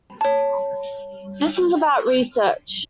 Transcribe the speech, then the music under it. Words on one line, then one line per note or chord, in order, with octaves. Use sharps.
This is about research.
C#5 A5